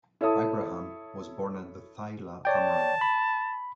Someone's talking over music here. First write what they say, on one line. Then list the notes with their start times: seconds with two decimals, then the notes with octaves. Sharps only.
Ibraham was born at the Thila, Amran.
0.21 E4 A4 C#5 E5 A5 D#6
2.45 C#5 D5 G5 A5
3.01 B5